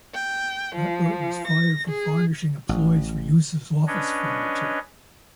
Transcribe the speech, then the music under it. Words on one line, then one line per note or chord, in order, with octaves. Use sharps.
Ratbert was fired for varnishing employees for use as office furniture.
G5
F3
A#6
G#4
A1
C#4 D4 B4 C#5 D#5